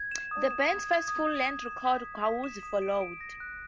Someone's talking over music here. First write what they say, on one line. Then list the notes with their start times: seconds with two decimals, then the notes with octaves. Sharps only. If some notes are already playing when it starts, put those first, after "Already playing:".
The band's first full-length record, "Gauze", followed.
Already playing: G#6
0.11 E7
0.31 D#6
0.51 E7
0.69 G#6
0.89 G#6
1.08 D#6
1.28 E7
1.46 G#6
1.66 E7
1.85 B6
2.05 G#6
2.25 B6
2.44 E7
2.63 D#6
2.82 D7
3.01 D7
3.21 A#6
3.40 F#6